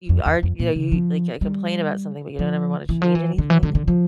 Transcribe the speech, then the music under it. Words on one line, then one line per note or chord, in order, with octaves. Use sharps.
you are you know y you like, I complain about something, but you don't ever wanna change anything.
F2
E2
F2
A#2
C#3
F3
G3
F3
E3
F3
E3
D3
E3
D3
D3
F3